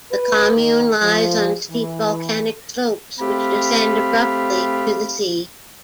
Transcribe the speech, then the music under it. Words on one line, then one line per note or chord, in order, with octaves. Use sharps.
The commune lies on steep volcanic slopes which descend abruptly to the sea.
B4
D#3
F3
E3
A3 C4 G4 F5 B5